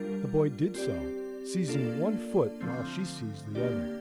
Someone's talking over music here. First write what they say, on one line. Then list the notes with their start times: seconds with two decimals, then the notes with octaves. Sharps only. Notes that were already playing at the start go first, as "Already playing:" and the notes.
The boy did so, seizing one foot while she seized the other.
Already playing: G3 D4 F4 A#4
0.74 C4 G4 D5
1.68 A#3 D4 F4 A4 D5
2.61 D3 F3 A3 C4
3.55 A#3 D4 G4 D5